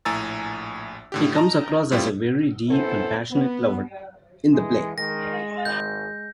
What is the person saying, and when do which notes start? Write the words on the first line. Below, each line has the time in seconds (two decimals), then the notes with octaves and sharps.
He comes across as a very deep and passionate lover in the play.
0.05 A#1 A2 G#5 A#5 E6 A6
1.12 A2 D3 G4
1.35 D#5 A5 A#5
1.92 A2 G3 C4 F4 G4
2.68 F#2 B3 C4 E4 A4 C5
3.31 B3
4.52 E3 G#3
4.98 D#3 G#3 A#6
5.65 G#1 G6